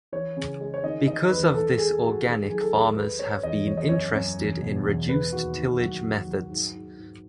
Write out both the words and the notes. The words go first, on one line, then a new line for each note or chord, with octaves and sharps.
Because of this organic farmers have been interested in reduced-tillage methods.
E3 C#5
C#3
G#3
C#5
D#3 D#5
D#3 D#5
E2 B4
E3 A4
G#3 G#4
G#3 F#4
D#3 G#4
F#3 G#4
A4
D#2 G#4
G#3 B4
G#3 C#5
E2 D#5
E3 C#5
D#5
F#2 C#5
F#2
E2
B2
E2
G#3 B4
D#2 F#4
D#2
F#3 F#4
F#3
F#3
G#2
G#2
G#2